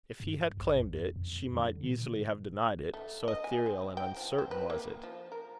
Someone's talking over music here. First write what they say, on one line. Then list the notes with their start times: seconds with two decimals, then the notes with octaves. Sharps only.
If he had claimed it, she might easily have denied it, so ethereal and uncertain was it.
0.20 G2
0.57 A#1
0.76 F2
1.16 F2
1.55 D3
1.84 A#2
2.94 A3
3.28 D#5
3.44 G#5
3.66 C4
3.97 G5
4.17 F3
4.38 C4
4.51 B4
4.70 A#3
5.03 F3
5.32 A#4